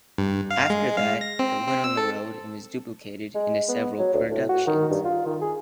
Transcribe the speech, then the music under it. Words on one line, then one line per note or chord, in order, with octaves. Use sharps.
After that it went on the road and was duplicated into several productions.
G2
F5
G#3
F5
A#6
C4
C4
E6
A4
G#3
B3
F#3
D2
A2
F#4
D#3
G2
F4
D#3
G#4